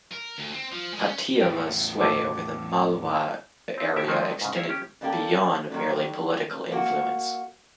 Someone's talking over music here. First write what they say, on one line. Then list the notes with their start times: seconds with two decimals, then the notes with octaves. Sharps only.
Patiala's sway over the Malwa area extended beyond merely political influence.
0.12 A#4
0.38 D2
0.53 C4
0.72 F3
0.93 G#3
1.08 C#4
1.41 E2 A2 G5
2.00 D2 B2 A3 D6
3.78 C4 D#4
3.96 B2 E4 F#4 G4 E5
4.08 D#3 F3 G#3 C4 D#4 C5
4.41 G#2 C#3
4.55 E4 C#5 E5 F5
4.69 C#4 G4
5.01 C#3 G3 A#3 G4 A4
5.70 D3 D#3 F#3
6.72 A#3 F#4